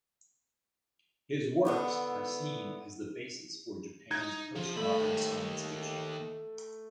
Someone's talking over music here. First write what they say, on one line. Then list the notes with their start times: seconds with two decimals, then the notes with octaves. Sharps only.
His works are seen as the basis for Japan's postmodern science fiction.
1.65 D3 B3 E4
4.11 D#4 G#6
4.55 F3
4.77 D#2 A3 B5